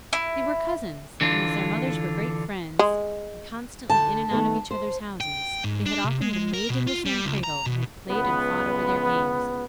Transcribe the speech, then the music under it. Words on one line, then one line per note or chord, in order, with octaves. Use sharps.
They were cousins, and as their mothers were great friends, and constantly in and out of each other's houses, they had often been laid in the same cradle, and had played and fought over their games.
E4
D3 E3 D4 F4
G#3
D3 G5 A5
D#3 A3 B3
C5
G5
G#2
D4
C3
G#3
A#4
B2
F4
G3
C#2
A#5
B2
C#2 B3